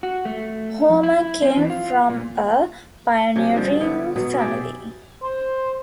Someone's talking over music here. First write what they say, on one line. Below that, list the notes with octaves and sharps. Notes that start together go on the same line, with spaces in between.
Homer came from a pioneering family.
F#4
A3
F2
E4
C4
E3
F4
A#2
C3 F#3 G#3 D4
D3 D#3 F3 G3
D3 B3
B2 F#3 B3 D#4
G4 G#4 D5 E5
C5